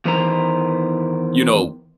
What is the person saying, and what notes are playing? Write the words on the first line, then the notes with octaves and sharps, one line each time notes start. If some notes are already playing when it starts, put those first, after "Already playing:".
you know,
E2 D#3 E3 B4 C5 A#5